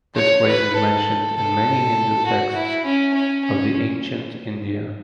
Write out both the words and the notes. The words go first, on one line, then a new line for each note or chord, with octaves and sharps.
This place is mentioned in many Hindu texts of the ancient India.
C#5
B4
A4
A4
F#4
E4
C#4
C#4
C#4